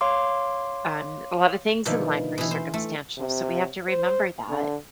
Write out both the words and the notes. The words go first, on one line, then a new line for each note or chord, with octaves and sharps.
Um, a lot of things in life are circumstantial, so we have to remember that.
C#5 F5 C6 D6
B2 D3 D#3 F3 A3
B2 E3
C5
A3
C3
C5
D3